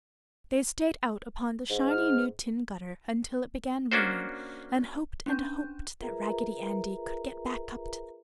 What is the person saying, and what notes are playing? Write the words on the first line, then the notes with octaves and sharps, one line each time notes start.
They stayed out upon the shiny new tin gutter until it began raining and hoped and hoped that Raggedy Andy could get back up to them.
G#2
F6
A#3 C#4 D4 F#4 C5
C#4 D4 G6
F4 G#4 A#4 B4 E5 A#5